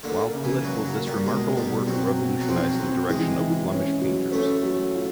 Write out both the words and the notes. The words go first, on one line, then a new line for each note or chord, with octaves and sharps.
While political, this remarkable work revolutionized the direction of Flemish painters.
D3 A#3
C#3
E3
C#3 F#3
F#3
A#3
G3
B2 G#3
B2 G3
F#3 C4
B2
F#3
F3 C4
F#3
C4
E3 G#3
E3
C#4
F#3
A3 C#4
F#3
F4